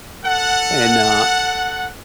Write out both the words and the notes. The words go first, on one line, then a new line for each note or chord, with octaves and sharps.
and, uh,
A4 F#5